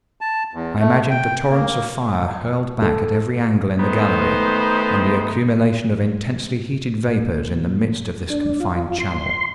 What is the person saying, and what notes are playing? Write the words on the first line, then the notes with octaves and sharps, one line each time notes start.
I imagined the torrents of fire hurled back at every angle in the gallery, and the accumulation of intensely heated vapours in the midst of this confined channel.
A5
E2
A3
G5
A#3
A4
D#3 A3 B3 D#4 C5
A#2
D4
F4
C6